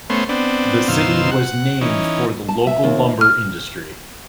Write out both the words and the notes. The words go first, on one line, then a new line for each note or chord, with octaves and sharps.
The city was named for the local lumber industry.
A3 B3 C#4 C5
B3 C4 D4
F#2 B2 D#3 F4 C5 E6
F#5
E3 C#4 D#4
A5
E5
D#2
F6